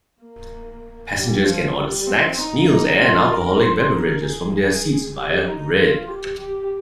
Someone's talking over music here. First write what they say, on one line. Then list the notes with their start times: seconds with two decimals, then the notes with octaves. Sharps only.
Passengers can order snacks, meals, and alcoholic beverages from their seats via "Red".
0.23 A#3
1.15 G3
1.45 F3
1.77 G3
2.07 C4
2.38 D#4
2.68 D#4
3.00 F4
3.31 A#4
3.61 C5
3.92 A#4
4.23 G#4
4.54 G#4
5.16 G4
5.46 D#4
5.77 F4
6.08 G4
6.38 G4